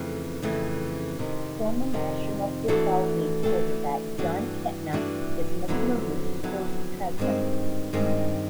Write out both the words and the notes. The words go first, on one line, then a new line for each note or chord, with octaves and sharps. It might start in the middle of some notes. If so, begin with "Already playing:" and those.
Former National Football League quarterback Jon Kitna is Magruder's first cousin.
Already playing: F2 C#3 E3 A3
F2 C#3 E3 A3
F2 C3 D#3
F2 C3 D#3
E3 A3 D4 F#4 A4
E3 A3 D4 F#4 A4
G2 E3 A3 D4 F#4
G2 E3 A3 D4 F#4
F2 D3 F#3 B3 E4
F2 D3 F#3 B3 E4
G2 D#3 G#3 C4
G2 D#3 G#3 C4